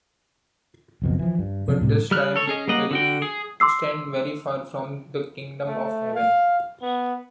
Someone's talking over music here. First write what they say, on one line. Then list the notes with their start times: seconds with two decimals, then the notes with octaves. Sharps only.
But this triumph will stand very far from the Kingdom of Heaven.
1.02 F#1 F2 B2
1.19 E3 F3
1.39 G2
1.68 C3 F3 G3 D4
1.81 A2 C3 G3
2.11 G3 F6 F#6
2.36 A4 C#5
2.47 C#4 G#4 D#5
2.68 G3 A#3 D#5 F#5
2.91 D3 F#4 G5
3.22 G#4
3.60 C6 D6 E6 C7
5.67 A3
6.15 F5
6.82 B3